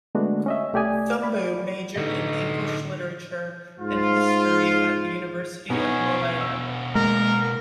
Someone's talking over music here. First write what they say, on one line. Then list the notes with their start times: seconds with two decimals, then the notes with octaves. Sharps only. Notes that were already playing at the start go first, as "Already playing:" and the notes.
Thumboo majored in English literature and history at the University of Malaya.
0.15 D3 G#3 A3 B3 D4 F#4
0.46 C#4 D#5 E5
0.73 C2 A3 G4 D5 G#5 D#6
1.22 D5 B5
1.96 A2 D3 D#4 A4 D#5 C#7
3.80 G#2 F4
5.70 B2 B3 C#4 D#4 G#4
6.41 E6
6.95 G#3 A#3 A#4